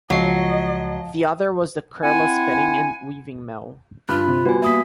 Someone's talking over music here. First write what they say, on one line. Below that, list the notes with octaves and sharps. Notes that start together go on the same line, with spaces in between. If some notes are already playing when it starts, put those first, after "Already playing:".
The other was the Kurla Spinning and Weaving Mill.
C#2 F3 F#3 D#5 C7
C4 E4 F#5 G#5
G2 F4 B5 F6 F#6
C3
G3 B3 F#4 G#5
A#3 E5 D#6 B6